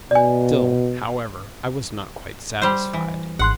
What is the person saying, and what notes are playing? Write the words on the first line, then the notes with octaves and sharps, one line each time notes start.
Still, however, I was not quite satisfied.
B2 D5 G#5
G3 C5
E3
G#1 F#5 C6 F#6